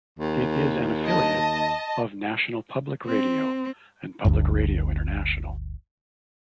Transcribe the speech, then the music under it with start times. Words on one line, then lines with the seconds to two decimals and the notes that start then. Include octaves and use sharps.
It is an affiliate of National Public Radio and Public Radio International.
0.19 D#2
1.06 D#5 A5
3.06 C4
4.25 G1 D2 G2